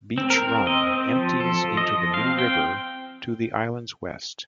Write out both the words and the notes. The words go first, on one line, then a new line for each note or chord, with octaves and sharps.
Beech Run empties into the New River to the island's west.
C4
A#4
C4
C4 D#5
C4
F3
F3 A4
F3
D#5
F3
C4 F5
C4 G5